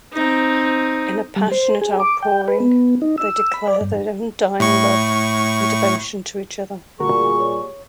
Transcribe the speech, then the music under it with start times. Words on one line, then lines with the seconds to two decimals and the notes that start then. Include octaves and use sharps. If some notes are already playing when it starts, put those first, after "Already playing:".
In a passionate outpouring they declare their undying love and devotion to each other.
0.13 C4 D#4
1.36 G3
1.52 C5
1.81 G#4
2.00 D6
2.22 G5
2.48 B4
2.60 B3
3.02 D#4
3.18 E6
3.54 B5
3.68 D5
3.81 G2
4.60 A2 C#6
7.00 D2 A#2 G3 F#4 G#4 A#4 C#6
7.40 C#5